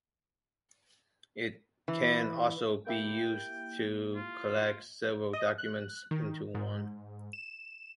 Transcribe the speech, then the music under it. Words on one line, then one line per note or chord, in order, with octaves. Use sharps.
It can also be used to collect several documents into one.
E3
A#3 E4 G4 G5
F4
D#5
F#6
D#3
G#2
E7